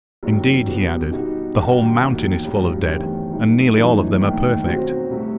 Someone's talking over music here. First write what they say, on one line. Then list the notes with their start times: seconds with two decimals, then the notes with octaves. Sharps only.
"Indeed," he added, "the whole mountain is full of dead, and nearly all of them are perfect."
0.23 F#1 F#2 D#3 F#3
0.67 B2 G3 B3 F#4
1.11 B2 G3 D#4 F#4
1.55 G2 D#3 G3 D#4 F#4
2.00 E1 D#2 D#3
2.44 A1 G2 F#3
2.88 E2 C3 D#3 A3
3.32 G2 F#3 A3 D#4
3.76 G1 F#2 E3 A3 D#4
4.21 D#2 D#3 A3 D#4
4.65 B1 B2 F#3 C4 F#4
5.09 C2 B2 A3